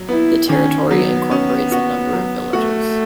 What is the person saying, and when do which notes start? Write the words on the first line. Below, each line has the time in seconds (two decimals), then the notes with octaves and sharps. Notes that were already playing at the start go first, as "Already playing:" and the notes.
The territory incorporates a number of villages.
Already playing: F#3
0.09 B3 E4
0.49 D#3 C#4
0.90 F#3 B3
1.31 C#4
1.72 F#4
2.13 F#3
2.53 A3 F#4